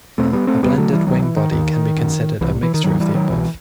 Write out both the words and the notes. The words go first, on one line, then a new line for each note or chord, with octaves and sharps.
A blended wing body can be considered a mixture of the above.
E2 B2 A3 C4
G3 B3
A3 C4
E2 B2 G3 B3
F#3 A3
E3 G3
C2 C3 D#3 F#3
E3
D#3
D#2 D#3
F#2
C2 C3 E3
E3
D#3
D#2 D#3 F#3
E3 G3
D#3 F#3
C2 B2 E3